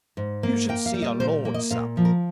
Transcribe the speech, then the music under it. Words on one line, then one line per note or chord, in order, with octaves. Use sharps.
You should see a lord sup.
G#2
A#3
A#3 G5
F5
G3
D#5
A#2 C5
A#3
D#5
A#2 F5
F3
A#4